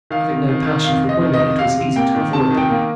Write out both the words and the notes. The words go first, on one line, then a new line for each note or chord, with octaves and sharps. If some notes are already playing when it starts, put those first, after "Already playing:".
Having no passion for women, it was easy to avoid them.
D#3 F5
C3
D#3
D#3
F2 F5
C3
D#5
D#3
D#5
F2
C3 F5
C3
A#3 G5
D#3
C3 A5
D#3
G5
A#3